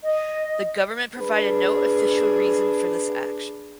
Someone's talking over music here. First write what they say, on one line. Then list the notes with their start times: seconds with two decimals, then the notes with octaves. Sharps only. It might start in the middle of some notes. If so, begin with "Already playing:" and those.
The government provided no official reason for this action.
0.03 D#5
1.17 D4 G#4 B4